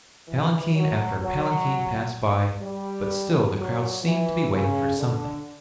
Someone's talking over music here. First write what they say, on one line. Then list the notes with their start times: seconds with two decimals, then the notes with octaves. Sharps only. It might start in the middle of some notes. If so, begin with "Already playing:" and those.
Palanquin after palanquin passed by, but still the crowd seemed to be waiting for something.
0.28 E3
0.75 F#3
1.22 F#3
2.62 G3
3.56 F#3
4.02 E3
4.50 C#3
4.97 D3